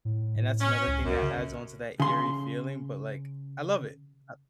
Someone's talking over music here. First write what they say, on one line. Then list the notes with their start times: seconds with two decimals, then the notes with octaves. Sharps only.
and that's another thing that adds on to that eerie feeling, but, like, I love it. Ah
0.05 A2
0.36 A2
0.61 C#4
0.87 C#2
1.05 C2 F#2
1.22 C#3
2.00 C#3 C6